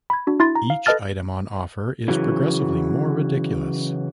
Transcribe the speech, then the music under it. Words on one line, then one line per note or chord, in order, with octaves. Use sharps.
Each item on offer is progressively more ridiculous.
B5 G#6
D4 F#4
E4 C6 A6
A#5
F5
A4 B4 D#5 A5 F6 A6
C#3 E3 F#3